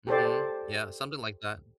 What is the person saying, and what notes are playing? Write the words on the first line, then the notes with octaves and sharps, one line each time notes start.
Mhm, yeah, something like that.
G4 A4 C5 D5